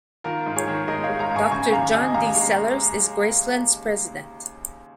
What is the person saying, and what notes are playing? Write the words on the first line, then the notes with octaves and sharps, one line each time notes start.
Doctor John D. Sellars is Graceland's president.
D#3 F4 A#4
G#2
G#4 C#5
D#3
G#3 A#4 D#5
C#5 F5
G#3
F5 A#5
G#2
G#5 C#6
C#3 G#5 C#6
D#2 F5 A#5
D#2 D#5 G#5
D#2 F5 A#5
G#3